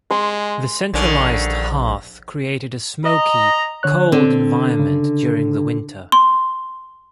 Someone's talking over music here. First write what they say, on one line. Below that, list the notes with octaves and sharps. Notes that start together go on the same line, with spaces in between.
The centralized hearth created a smoky, cold environment during the winter.
G#3 C6
A#1 D3 D#3 C#4
D#5 A#5
D3 C#5 F#6
D3 C4
C#3
C6